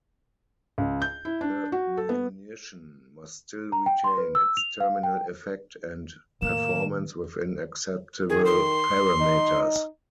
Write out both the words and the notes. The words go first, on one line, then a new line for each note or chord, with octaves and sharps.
The munition must still retain its terminal effect and performance within acceptable parameters.
C#2
G6
E4
D4
F#4
A4
B3
A#5
G5
C6
B4
E6
F7
F5
G5
A2 D#3 A#3 E7
D#3 G#4
C6
D#4